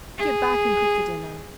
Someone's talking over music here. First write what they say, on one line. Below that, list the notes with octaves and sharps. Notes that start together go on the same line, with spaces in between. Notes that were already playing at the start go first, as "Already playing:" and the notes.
Get back and cook the dinner.
G#4